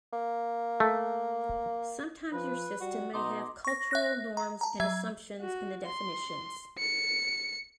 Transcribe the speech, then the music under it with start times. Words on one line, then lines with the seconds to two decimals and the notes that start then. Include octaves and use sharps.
Sometimes your system may have cultural norms and assumptions in the definitions.
0.13 A#3
0.80 A3
2.33 F3 B4
2.81 G3 F#4
3.13 B2 D#4 A#5 C6 D6
3.65 C#6 A#6
3.91 E5 F#6 A#6
4.37 A#5
4.61 A5 A#5
4.80 F#3 E5 G#6
5.41 F#4
5.86 C6
6.78 C#7